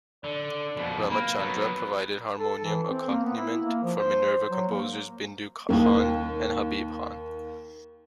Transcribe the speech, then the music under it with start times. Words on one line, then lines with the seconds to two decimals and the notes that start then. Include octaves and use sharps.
Ramachandra provided harmonium accompaniment for Minerva composers Bindu Khan and Habib Khan.
0.24 D3 D5
0.77 F2 B2
1.10 A#3 B4
1.38 F#3 B3
2.38 A4
2.64 E3
2.87 C4
3.10 A#3
3.24 B3
3.37 E4
3.64 A#3
3.83 F3
3.98 C5
4.50 F#3
4.68 A#3
5.69 D#2 A#3